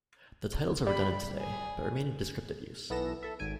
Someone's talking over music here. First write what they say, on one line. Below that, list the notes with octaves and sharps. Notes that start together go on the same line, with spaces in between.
The titles are redundant today but remain in descriptive use.
G3 B5
G#4
B1 E3 B3 A4 A#6 E7
A4 E5
G#1 G#2 G#5 D7